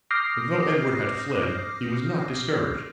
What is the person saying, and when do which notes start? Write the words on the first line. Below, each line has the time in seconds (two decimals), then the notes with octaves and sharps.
But though Edward had fled, he was not discouraged.
0.11 D6 D#6 F6 G6 A#6 C7